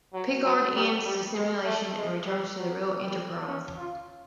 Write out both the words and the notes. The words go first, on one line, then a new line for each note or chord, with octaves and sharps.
Picard ends the simulation and returns to the real "Enterprise".
F#3
F#3
G3
G3
G#3
A3
G#3
G3
F#3
G3
C#4
F4